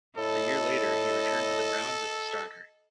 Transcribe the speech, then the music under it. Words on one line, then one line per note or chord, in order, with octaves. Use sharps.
A year later, he returned to the Browns as a starter.
A2 A4 D#5